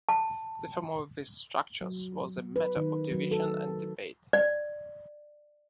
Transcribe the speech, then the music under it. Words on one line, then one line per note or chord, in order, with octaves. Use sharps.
The form of these structures was a matter of division and debate.
A5
F#3
B4
D#3
F#3
A4
D5